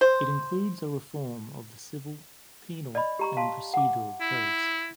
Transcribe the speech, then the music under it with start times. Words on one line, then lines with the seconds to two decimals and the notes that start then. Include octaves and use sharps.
It includes a reform of the civil, penal, and procedural codes.
0.01 C5
2.95 D5 D#5 B5
3.19 G4 A#5 C#6
3.37 F5 A5 C6
3.74 F#5 D6
4.21 E4